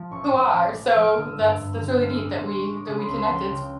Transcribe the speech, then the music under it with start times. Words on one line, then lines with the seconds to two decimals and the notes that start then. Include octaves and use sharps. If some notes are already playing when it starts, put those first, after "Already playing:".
who are, so that's that's really neat that we that we connected.
Already playing: F3
0.11 A1 C#6
0.24 D#6
0.32 A1 D6
0.48 D6
0.54 F3
0.64 D6
0.74 F3
0.96 F3 F6
1.17 D3 D#6
1.28 E6
1.38 G2
1.60 G2
1.81 D3
2.02 A1 F6
2.09 E6
2.16 D#6
2.23 G#3 D6
2.44 G#3 C6
2.56 C#6
2.66 G#3
2.77 D6
2.86 C#3 D#6
2.97 B5
3.03 C6
3.08 C#2
3.18 C6
3.29 F3
3.34 G5
3.50 C#3